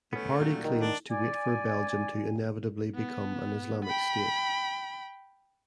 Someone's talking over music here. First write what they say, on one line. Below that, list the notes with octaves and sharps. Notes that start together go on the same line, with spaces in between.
The party claims to "wait" for Belgium to inevitably become an Islamic state.
A3 B3 C#4
A#2 F#3 G3
D#3
D4
D5 G#5
B3
G5 B5